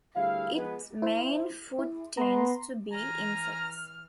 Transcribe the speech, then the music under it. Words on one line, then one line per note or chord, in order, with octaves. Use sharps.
Its main food tends to be insects.
D2 G3 E4 G#4 F5
F3 G#3 B3 B4
E4 C5
E4
B3 A#5 C6
E3 G#5 A#5 F6